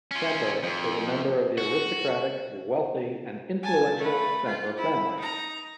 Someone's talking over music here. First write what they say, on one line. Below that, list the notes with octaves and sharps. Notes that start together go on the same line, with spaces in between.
Samper is a member of the aristocratic, wealthy and influential Samper family.
C#4 F4
F2
F#4
G#5 A5
A3 B4
F4
E4
D#4 A#5